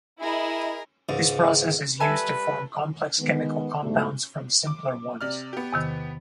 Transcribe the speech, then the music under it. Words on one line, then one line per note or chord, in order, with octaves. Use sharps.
This process is used to form complex chemical compounds from simpler ones.
E4 G#4 A#4 D#5
C#2 G#2
G3 A4 B4 E5 G#5 B5
D#3 G#3 B3
G#2 B2 D3 E3 G3 A3
D6
C3 D5 F6
B3 G4
E2 C3 D#3